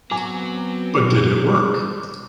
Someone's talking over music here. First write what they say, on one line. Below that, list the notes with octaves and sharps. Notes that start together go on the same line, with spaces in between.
But did it work?
F#3 B3 C4 G#5 D6